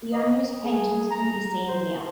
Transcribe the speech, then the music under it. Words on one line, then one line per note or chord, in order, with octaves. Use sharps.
The unused paintings can be seen here.
D#5
G#4
A#5
C5